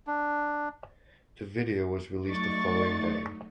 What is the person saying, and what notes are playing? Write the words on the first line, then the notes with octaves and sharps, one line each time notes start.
The video was released the following day.
D4
F#3 A3 D#4 D5 C#6 A6